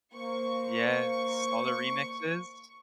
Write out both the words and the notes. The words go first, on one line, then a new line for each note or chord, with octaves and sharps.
Yes, all the remixes.
A#3 C5 C#6